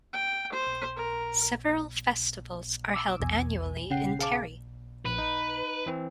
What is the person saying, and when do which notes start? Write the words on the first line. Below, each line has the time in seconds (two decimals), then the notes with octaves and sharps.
Several festivals are held annually in Terry.
0.13 G5
0.52 C5
0.97 A#4
2.94 D6 E6
3.19 A#1 E2 B2 G#5
3.90 C#3 C#4 F#5 G5 C7
4.19 G#4 F5 A5 D6
5.06 A#1 B4
5.18 D#4
5.86 E3 C4